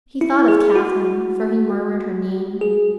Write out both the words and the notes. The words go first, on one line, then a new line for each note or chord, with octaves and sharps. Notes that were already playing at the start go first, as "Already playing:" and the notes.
He thought of Catherine; for he murmured her name.
E4
G#4
F#4
G#4